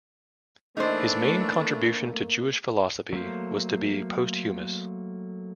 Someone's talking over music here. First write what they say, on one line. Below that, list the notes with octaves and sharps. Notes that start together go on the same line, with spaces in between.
His main contribution to Jewish philosophy was to be posthumous.
E3 A3 A#3 D4 D#4 C5
F#3 A3 A#3 C5